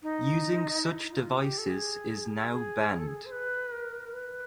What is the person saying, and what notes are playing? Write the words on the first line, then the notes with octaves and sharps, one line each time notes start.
Using such devices is now banned.
D#4
E4
F4
G4
A4
G#4
G#4
G#4
A4
G#4
C5
B4
A#4
B4